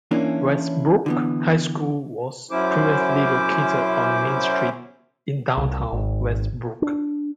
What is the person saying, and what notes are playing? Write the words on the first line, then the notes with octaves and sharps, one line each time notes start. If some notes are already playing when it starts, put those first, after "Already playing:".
Westbrook High School was previously located on Main Street in downtown Westbrook.
E3 A#3 C#4 D4 E4
D3 E3 B3
F#2 F#3 C#4 E4 C5 D6
C2
G#1
D4